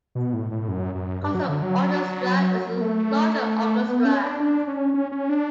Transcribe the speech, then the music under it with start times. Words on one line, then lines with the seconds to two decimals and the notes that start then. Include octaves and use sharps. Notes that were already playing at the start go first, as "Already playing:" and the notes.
Concert Orchestra is the larger orchestra.
0.15 B2
0.34 A2
0.51 A2
0.68 F#2
0.95 F#2
1.22 G2
1.35 F#3
1.49 D3
1.62 F#3
2.76 B3
2.81 A3
3.88 B3
4.05 C#4
4.23 D4
4.40 D4
4.67 C#4
4.94 C#4
5.12 C#4
5.29 D4